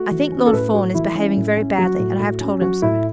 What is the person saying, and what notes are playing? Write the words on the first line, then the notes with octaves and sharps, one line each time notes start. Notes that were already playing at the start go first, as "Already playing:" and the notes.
I think Lord Fawn is behaving very badly, and I have told him so.
Already playing: A3 F#4
E3
C#4
A4
A2 B4
A3 F#4
E3 E4
C#4
A2
C#4
F#3 F#4
A2
A2
C#4
F#3 F#4
A2 E4